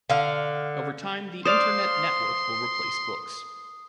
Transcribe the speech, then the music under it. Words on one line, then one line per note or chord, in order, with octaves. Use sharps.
Over time the Internet network will replace books.
D3 F5
C5 D5 F5 C6 D#6